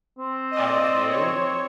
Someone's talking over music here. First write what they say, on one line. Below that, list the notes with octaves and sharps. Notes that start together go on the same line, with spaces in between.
out of you
C4
D5 D#5
C#5